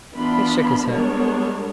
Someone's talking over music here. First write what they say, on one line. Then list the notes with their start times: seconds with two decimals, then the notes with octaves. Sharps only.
He shook his head.
0.15 E3 B3 D4 F4 B5 C6
0.86 G3 G#3 B3 D4 A#4 C#5